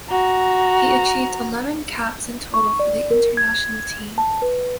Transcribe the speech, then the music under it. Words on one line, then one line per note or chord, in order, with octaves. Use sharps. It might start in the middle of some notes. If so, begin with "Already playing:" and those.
He achieved eleven caps in total for the international team.
F#4 A#5
C#6
D5
A#4
G#6
A5
B4